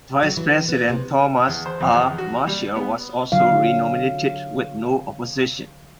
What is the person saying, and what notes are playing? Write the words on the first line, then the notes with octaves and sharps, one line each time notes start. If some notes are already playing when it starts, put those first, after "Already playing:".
Vice President Thomas R. Marshall was also re-nominated with no opposition.
F#3
E3
B3
C3
E2
C5
F2
E2
F#4
G3
B3
D3 F#3 F5